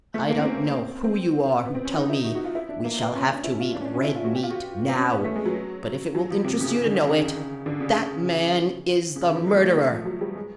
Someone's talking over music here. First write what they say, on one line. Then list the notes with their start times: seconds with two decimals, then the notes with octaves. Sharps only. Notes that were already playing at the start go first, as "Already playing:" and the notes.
"I don't know who you are who tell me 'We shall have to eat red meat--now'; but if it will interest you to know it--that man is the murderer!"
0.14 A3
0.29 A#3
0.37 C#4
0.44 C4
1.04 C4
1.65 B3
1.75 C4
1.85 C#4
1.94 D#4
2.09 E4
2.24 F#4
2.35 F#4
2.45 F4
2.55 E4
2.69 D4
2.84 A#3
3.00 B3
3.15 C#4
3.29 D4
3.44 E4
3.59 F4
3.75 D4
3.81 C#4
3.85 D4
3.94 C#4
4.04 E4
4.15 F4
4.24 F#4
4.35 G4
4.43 F4
4.50 F#4
4.89 C4
4.95 C#4
5.10 B3
5.24 A3
5.36 G#3
5.45 F#3
6.15 F#3
6.30 F3
6.45 C3
6.60 C#3
6.76 C#3
6.85 D3
6.95 D#3
7.05 C#3
7.66 D3
7.80 C#3
9.16 C#3
9.25 E3
9.35 F3
9.46 G#3
9.55 A3
9.65 A3
9.76 A3
9.91 F3
10.02 F3
10.05 F#3
10.21 G3
10.35 G#3